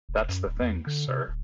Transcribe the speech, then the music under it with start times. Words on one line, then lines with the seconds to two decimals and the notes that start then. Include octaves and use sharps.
That's the thing, sir!
0.09 E1
0.29 F#2
0.46 D1
0.62 E2
0.87 D3
1.08 C3
1.28 D1